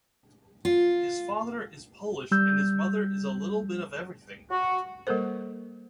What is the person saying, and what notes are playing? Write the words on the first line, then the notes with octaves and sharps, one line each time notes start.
His father is Polish, and his mother is "a little bit of everything".
F4
G3 E6 G6
F#4
G3 A#3 A4 A#4 C5